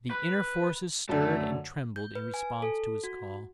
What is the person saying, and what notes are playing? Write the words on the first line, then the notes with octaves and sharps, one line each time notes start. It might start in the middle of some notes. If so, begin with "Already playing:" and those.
The inner forces stirred and trembled in response to his call.
B4
F#2 D3 A3 A5
G6
B4
G#5
A4
F#4